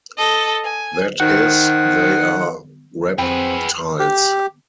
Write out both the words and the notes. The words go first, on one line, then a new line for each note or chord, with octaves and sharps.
That is, they are rep-tiles.
A4 D#5
G#5
D#3 C5 F#5
F2 F#3 C4 G#4 B4 G5
G4